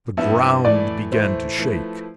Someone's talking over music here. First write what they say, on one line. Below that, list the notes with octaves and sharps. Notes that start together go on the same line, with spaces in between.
The ground began to shake.
G2 F3 B3 E4 E5
A2 E3 A3 E4 D5
A2 E3 A3 E4 C5
F3 A3 E4 B4